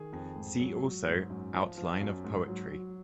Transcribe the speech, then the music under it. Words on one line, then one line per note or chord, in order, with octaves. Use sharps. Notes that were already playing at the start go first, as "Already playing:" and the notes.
See also: outline of poetry.
Already playing: D#3 G#4
F2
G#2
F#3
F#3
G#2
F#2
F3
F3
F#2
G#2
F#3
F#3